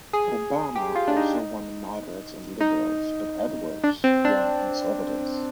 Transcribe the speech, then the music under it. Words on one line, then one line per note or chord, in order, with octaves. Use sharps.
Obama also won moderates and liberals but Edwards won conservatives.
G#4
G4
F4
D4
D#4
D#4
D4
C4
D4